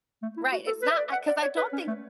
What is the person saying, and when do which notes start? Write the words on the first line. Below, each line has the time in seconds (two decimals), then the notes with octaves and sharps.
Right, it's not I 'cause I don't think
0.22 A3
0.37 E4
0.52 F#4
0.67 A4
0.82 B4
0.90 E5
0.97 D5
1.12 F#5
1.27 D5
1.43 C#5
1.57 B4
1.73 C#4
1.88 A3